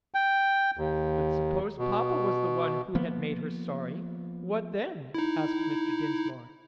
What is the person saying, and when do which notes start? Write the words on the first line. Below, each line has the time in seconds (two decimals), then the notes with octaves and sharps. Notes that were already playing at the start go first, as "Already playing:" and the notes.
"But suppose papa was the one who had made her sorry; what then?" asked Mr. Dinsmore.
0.14 G5
0.77 D#2
1.78 B2
2.95 F3 A#3 B3
5.14 D#4 E4